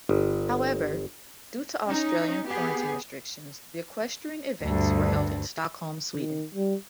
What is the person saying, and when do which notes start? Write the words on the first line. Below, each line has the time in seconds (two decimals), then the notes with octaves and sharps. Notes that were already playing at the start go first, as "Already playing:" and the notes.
However, due to Australian quarantine restrictions the equestrian events were held in Stockholm, Sweden.
0.09 G1
1.87 C#4 D#4
2.46 B3 G4 G#4
4.60 D2 G2
6.17 D#3
6.55 G3